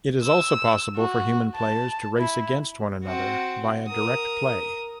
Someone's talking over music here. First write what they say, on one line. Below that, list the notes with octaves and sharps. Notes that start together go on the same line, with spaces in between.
It is also possible for human players to race against one another via DirectPlay.
E6
F#4
A5
E4
C4 F#4
A#4 D#6